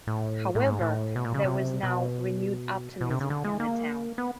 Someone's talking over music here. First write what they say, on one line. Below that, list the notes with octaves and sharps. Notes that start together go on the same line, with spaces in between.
However, there was now renewed optimism in the town.
A2
A2
G#2
A2
B2
A#2
C#3
C3
B2
B2
C3
C#3
D3
G#3
A#3
B3